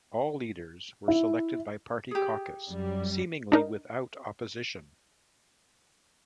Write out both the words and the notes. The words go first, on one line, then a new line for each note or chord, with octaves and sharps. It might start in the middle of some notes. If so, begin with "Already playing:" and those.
All leaders were selected by party caucus, seemingly without opposition.
E4
G4 G#4
F#2 G3
D4 D#4 A#4